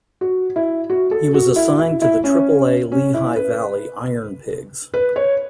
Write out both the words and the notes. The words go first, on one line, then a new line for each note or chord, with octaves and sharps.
He was assigned to the Triple-A Lehigh Valley IronPigs.
F#4
E4
F#4
A4
F#4
E4
E4
E4
C#4
C#4
E4
B4
B4
C#5